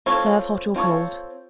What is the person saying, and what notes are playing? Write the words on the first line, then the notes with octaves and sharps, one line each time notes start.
Serve hot or cold.
C4 F4 A4 C#5
C4 F4 A4 C#5